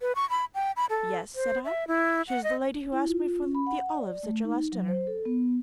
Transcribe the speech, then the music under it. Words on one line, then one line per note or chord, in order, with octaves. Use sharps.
"Yes," said I. "She is the lady who asked me for the olives at your last dinner."
B4
C#6
B5
G5
B5
A4
C5
E5
E4
F#5
D#5
E4
F4
C#4
B5
F#5
D5
A3
D#4
F#3
C5
A4
B3